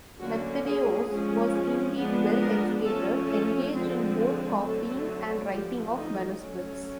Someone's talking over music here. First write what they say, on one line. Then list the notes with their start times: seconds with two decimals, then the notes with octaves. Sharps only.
Methodios was indeed well-educated; engaged in both copying and writing of manuscripts.
0.20 D3 F#3 A#3 C#4 F#4
0.64 G#4
1.09 F3 G#3 C#4
1.97 F3 G#3 B3 D4
2.40 A#4
2.85 F3 A3 C#4 A4
3.29 A4
3.73 D3 F3 G#3 C4
4.62 D3 F#3 A3 C4 A4
5.50 D3 F3 A3 G4
5.95 D#4
6.38 F#3 A3 C#4